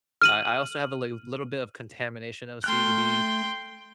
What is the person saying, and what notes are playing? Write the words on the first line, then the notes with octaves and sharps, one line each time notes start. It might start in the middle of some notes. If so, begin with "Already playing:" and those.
I I also have a li little bit of contamination OCD,
F6 D#7 F#7
A3 G5 C6 F6 F#6